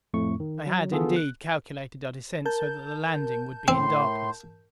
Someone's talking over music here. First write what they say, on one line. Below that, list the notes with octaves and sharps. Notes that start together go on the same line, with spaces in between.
I had, indeed, calculated our descent so that the landing would be in darkness.
F2 A2 A3 C#6
D#3
F#3
D3 B3 F4 G#4 A4
F#6
A#4 A5 G6
A2 C4 C6